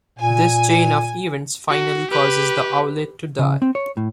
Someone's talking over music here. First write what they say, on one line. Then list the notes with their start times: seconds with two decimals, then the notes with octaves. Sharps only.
This chain of events finally causes the owlet to die.
0.19 A#2 G#5
1.69 F#4
2.10 G4 B4
3.39 C#3
3.62 C4
3.75 C#5
3.97 A2